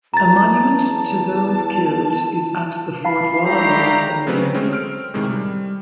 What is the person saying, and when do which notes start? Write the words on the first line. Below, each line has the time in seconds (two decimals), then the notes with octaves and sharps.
A monument to those killed is at the Fort Walla Walla Cemetery.
0.14 E2 A5 A#5 A6
3.05 F5 A5 B5 C7
3.42 G#3 A3 D4 D#4 G4 A#5
4.27 C#3 F#3 A3 C4 G4 B4
4.54 G#3 A3 C4 C#4
4.71 C4 F6 D7
5.14 A2 C3 D#3 G#3
5.30 G3